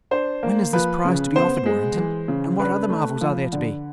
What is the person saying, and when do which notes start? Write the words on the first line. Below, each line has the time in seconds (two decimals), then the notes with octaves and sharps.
"When is this prize to be offered, Warrenton, and what other marvels are there to be?"
0.11 D4 C5
0.43 A#3
0.73 F3 B4
1.05 C#3
1.36 B3 C5
1.66 G#3
1.97 E3
2.28 C#3
2.60 D4 B4
2.90 A3
3.21 F3
3.53 D3